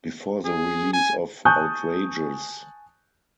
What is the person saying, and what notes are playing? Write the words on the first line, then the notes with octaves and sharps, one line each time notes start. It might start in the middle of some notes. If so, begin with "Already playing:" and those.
Before the release of Outrageous!
G#4
G#5
G#5 A5 C#6 D#6 F#6 G6